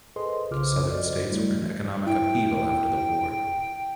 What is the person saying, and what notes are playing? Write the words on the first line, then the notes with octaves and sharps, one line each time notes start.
Southern states were in economic upheaval after the war.
G#4 A4 B4 C5 D#5 C6
B1 C#3 F4 C5 D6 F6
F#4 C5 D5 D#5
F#3 G3 A3 E4 F#4
E3
E4 G5